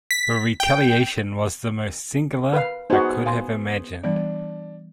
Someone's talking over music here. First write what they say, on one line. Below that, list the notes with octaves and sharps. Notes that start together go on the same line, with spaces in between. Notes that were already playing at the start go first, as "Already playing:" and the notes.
Her retaliation was the most singular I could have imagined.
B6
G5
B4 F5
B3 D#4 F#4 G#4 C5
F5 G#5 C6
E3 G3 B3 D4